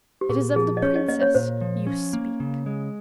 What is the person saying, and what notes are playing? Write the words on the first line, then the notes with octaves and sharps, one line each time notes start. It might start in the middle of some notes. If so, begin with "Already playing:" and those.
"It is of the princess you speak."
G4
A#2 G#4
F3 G#4
D#5
C#4 C#5
D#5
A#3 D#5
C#5
A#2 C5
F3
C#4
A#3
C#3
G#3